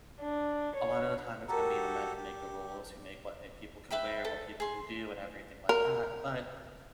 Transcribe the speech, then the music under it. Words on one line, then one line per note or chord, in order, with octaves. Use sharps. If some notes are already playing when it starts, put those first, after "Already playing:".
a lot of the time it's gonna be the men who make the rules, who make what, uh, people can wear, what people can do, and everything like that. But
D4
C#5
F#4 G4 A4 A#4 A5 A#5
G4
B4 E5 G5 B5
A4
G#4 C6
A#4